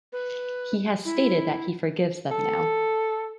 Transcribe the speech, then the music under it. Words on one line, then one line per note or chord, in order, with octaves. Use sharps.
He has stated that he forgives them now.
B4
E4
A4